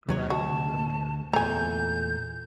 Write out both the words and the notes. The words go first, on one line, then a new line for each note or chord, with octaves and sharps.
Wright never married.
D#2 F#3 C#5
D2 F#4 A5
E2 A#2 A3 G#5 A#5 G6